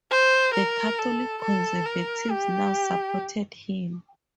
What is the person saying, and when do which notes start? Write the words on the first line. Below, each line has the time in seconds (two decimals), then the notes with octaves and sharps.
The Catholic Conservatives now supported him.
0.11 C5
0.54 A#4
0.99 A4
1.42 A4
1.86 A#4
2.30 G4